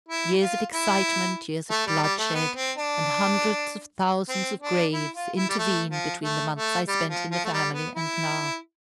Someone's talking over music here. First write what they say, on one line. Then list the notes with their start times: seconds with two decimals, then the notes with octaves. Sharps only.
Years of excitement, years of bloodshed, and hundreds of thousands of graves intervene between the months I spent in the family and now.
0.08 E4
0.40 F4
0.73 E4
1.70 A3
1.86 G3
2.02 G3
2.19 A3
2.34 B3
2.56 C4
2.77 D4
4.28 C4
4.61 D4
4.93 E4
5.15 F4
5.37 E4
5.49 G3
5.58 A3
5.91 F3
6.23 A3
6.55 A3
6.88 G3
7.09 F3
7.31 F3
7.44 A3
7.52 G3
7.74 B3
7.96 E4